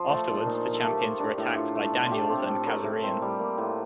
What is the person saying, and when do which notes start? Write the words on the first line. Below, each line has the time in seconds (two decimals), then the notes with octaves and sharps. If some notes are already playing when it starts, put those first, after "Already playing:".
Afterwards, the champions were attacked by Daniels and Kazarian.
Already playing: F3 C5
0.10 A3 A4
0.28 A#2 F4
0.46 A#2 D#4
0.65 F3
0.74 A4
0.83 A3 G4
1.02 A3
1.20 D4 A#4
1.38 A2 A4
1.56 A2 F4
1.75 A3
1.93 D4
2.06 A3 F4 G4
2.29 C4
2.40 A4
2.48 A2
2.66 A2 A#4
2.84 A3
3.03 C4
3.22 G3
3.40 A#3
3.58 A2